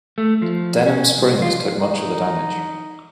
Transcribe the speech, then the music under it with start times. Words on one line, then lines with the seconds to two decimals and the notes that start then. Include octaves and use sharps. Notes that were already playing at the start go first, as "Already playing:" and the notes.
Denham Springs took much of the damage.
0.18 A3
0.42 F3
0.86 C#4
1.18 C2
1.42 F4
1.80 D#4